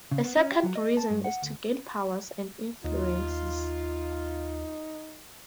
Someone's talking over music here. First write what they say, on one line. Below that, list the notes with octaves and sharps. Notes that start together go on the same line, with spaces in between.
A second reason is to gain powers and influences.
C#3
B3
C#4
G4
F#3
D#5
A5
G2
F#5
D2
D#2 D#4 F4